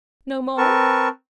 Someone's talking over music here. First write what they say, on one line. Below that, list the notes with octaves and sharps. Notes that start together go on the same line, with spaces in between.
"No more?"
C4 A#4 B4 A5 C#6